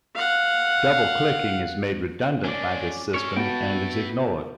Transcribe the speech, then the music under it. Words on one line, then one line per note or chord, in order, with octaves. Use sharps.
Double-clicking is made redundant by this system and is ignored.
F5 F#5
G#3 C#4 D4 D5
C#4 E4 A4 C#5
B3 F#4 G5 A5